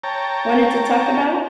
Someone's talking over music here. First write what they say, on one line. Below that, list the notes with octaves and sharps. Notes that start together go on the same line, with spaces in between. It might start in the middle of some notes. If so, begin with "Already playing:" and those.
wanted to talk about?
C#5 G5 A5 A#5